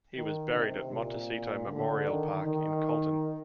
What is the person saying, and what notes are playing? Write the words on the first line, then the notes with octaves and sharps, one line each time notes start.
He was buried at Montecito Memorial Park, in Colton.
D#3
C3
A#2
D3
D#3
D#3